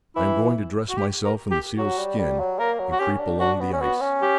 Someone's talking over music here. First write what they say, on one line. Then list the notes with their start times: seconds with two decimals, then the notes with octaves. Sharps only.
I am going to dress myself in the seal's skin, and creep along the ice.
0.16 E3 E4
0.90 F#4
0.97 G4
1.24 A#4
1.51 G4
1.78 F#3 F#4
1.98 G3
2.19 G3
2.39 F#3
2.59 A#3 A#4
2.80 F#3
2.92 F#4
2.99 C#4 G4
3.20 D4
3.40 D4 F#4
3.61 B3
3.73 C#4
3.81 B3 F#4
4.01 C#4
4.22 G4